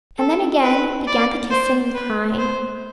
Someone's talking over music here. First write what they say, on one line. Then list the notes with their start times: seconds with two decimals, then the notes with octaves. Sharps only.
And then again began the kissing and the crying.
0.19 A4
0.63 B4
1.08 D5
1.51 C5
1.95 B4
2.38 C5